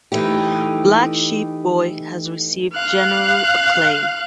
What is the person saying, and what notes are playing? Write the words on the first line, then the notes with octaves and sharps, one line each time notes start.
"Black Sheep Boy" has received general acclaim.
E3 A3 D#4 G4
F5 F#6